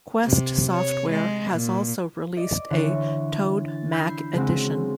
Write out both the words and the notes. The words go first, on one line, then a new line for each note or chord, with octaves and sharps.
Quest Software has also released a Toad Mac Edition.
C3
C#5
G#3
A#2
D5 D#5
D3 E3 C#5
A6
B5 E6 G6 G#6 C7
C#3 G#3 C4 F#4